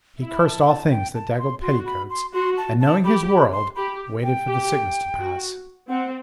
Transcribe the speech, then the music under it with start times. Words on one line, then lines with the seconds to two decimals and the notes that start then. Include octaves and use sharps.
He cursed all things that daggled petticoats, and, knowing his world, waited for the sickness to pass.
0.20 E4
0.32 B5
0.43 A5
0.67 A5
0.91 G5
1.15 A5
1.39 C6
1.62 F#4 C6
1.86 B5
2.10 C6
2.33 F#4 C6
2.57 A5
2.80 A5
3.04 G4 B5
3.29 B5
3.52 C6
3.76 G4 B5
4.23 G5
4.47 G4
5.19 F#4
5.89 C4 F#5